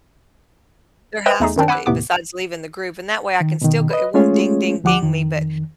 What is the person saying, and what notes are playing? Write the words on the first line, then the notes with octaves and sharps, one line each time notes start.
There has to be, besides leaving the group. And that way I can still g it won't ding ding ding me, but
B4 C5 D#5 E5 G5
E2 A3 D#4 G#4
F#2 D#3 C4 D4
F#5 G#5 B5 D6 E6 F#6
D#2 A2 C3 B3 D6
D#3
B2 D#3
B4 D#5
G#3 A3 C#4 F4 G#4 C#5
D2 F3 F#5 D6
F2 D#3